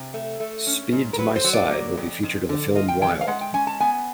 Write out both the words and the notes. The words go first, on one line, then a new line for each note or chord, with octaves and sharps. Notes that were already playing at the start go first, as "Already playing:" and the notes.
"Speed To My Side" will be featured in the film Wild.
Already playing: C3
A3
A3
C#4
G#2
A#4
F#3 B4
C5
F#3
D5
A#3
F2
F2
D3
F4 D#5
G5
E3 G5
F5
G#3 F#5
G5
C#4 G#5
A5
B3 G#5